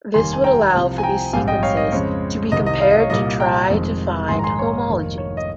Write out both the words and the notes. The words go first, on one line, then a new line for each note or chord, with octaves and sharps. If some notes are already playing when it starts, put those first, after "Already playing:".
This would allow for these sequences to be compared to try to find homologies.
F1 D#2 D#3 G3 A#3 G#5 C6
G#5
G5 A#5
C2 C3 F3 C4
G#5
G5 A#5
A#1 G#2 G3 C4 F5 G#5
D#5 G5
C#5 F5
D#5
F2 C#3 G#3 C4 C#5
C2 C3 D#3 D#5
D#5
F5
D#5
C#5
C2 A#2 G3 A#3 D#5
G5 A#5
F1 F2 D#3 G#3 C4
A#1 G#2 D#3 G#3 G#5 C6
A#5
G#5 C6
C#5
F1 F2 D#3 A#3
C#5
D#5